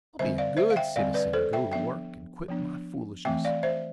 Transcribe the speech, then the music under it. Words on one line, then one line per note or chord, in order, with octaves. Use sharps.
I'll be a good citizen and go to work and quit my foolishness.
D3 G3 C4 C5 E5
D5 F5
C5 E5
F5
E5 G5
D3 G3 C4 D5 F5
B4 D5
A4 C5
E5 G5
F3 B3 D4 E5 G5
F3 B3 D4
E3 A3 C4 E5 G5
D5 F5
C5 E5